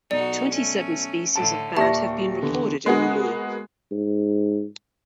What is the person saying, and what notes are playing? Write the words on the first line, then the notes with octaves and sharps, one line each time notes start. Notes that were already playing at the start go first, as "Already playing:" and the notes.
Twenty seven species of bat have been recorded in Mulu.
B1 D#4 F#4 D5
A3 C#4
A2 D3 A5 D7
D#2 A#2 G4 D5 E5 A5 C#6 A#6
E2 D3
G#3 A#3 B3 F#4 G#4 D#5
G#2